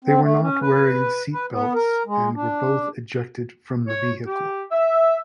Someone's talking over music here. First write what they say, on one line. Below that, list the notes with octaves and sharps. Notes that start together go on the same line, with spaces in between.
They were not wearing seat belts and were both ejected from the vehicle.
C4
A3
C#4
B4
B4
B3
A#4
G#3
D4
C#5
G4
E5